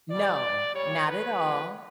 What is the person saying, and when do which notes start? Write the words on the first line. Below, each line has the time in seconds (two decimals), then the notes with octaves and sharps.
No, not at all.
0.10 B2 G3 D5
0.74 A#2 G3 C#5
1.06 B4
1.37 C3 F3 G#3